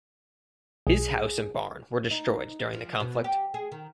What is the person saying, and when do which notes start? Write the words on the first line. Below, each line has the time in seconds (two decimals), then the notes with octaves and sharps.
His house and barn were destroyed during the conflict.
0.87 B1 G#4
2.11 D#4
2.73 F3
3.00 B2
3.24 G4
3.54 G#4
3.72 D#3